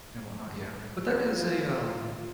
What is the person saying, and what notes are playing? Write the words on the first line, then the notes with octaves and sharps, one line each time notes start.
and whatnot, yeah, but that is a, um
F4